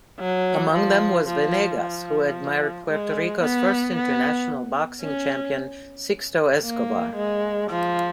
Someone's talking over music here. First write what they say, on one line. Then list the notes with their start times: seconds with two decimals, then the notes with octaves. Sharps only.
Among them was Venegas, who admired Puerto Rico's first international boxing champion, Sixto Escobar.
0.20 F#3
0.73 F3
1.27 F3
1.81 F3
2.87 G#3
3.41 B3
3.95 B3
5.02 C#4
6.63 A#3
7.16 G#3
7.70 F3